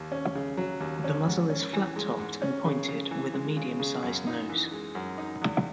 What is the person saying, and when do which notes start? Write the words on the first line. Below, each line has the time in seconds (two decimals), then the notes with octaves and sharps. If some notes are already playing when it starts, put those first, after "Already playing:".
The muzzle is flat-topped and pointed, with a medium-sized nose.
Already playing: D#2
0.12 C#4
0.35 C#3
0.57 F#3
0.80 D#2
1.04 C#4
1.27 G#2
1.50 C#4
1.73 E3
1.96 G#3
2.19 G#2
2.42 C#4
2.65 C#3
2.88 C#3
3.11 E3
3.34 G#3
3.57 C#3
3.80 C#3
4.03 F#2
4.27 D#4
4.49 E3
4.72 G#3
4.95 F#2
5.18 D#4
5.42 E2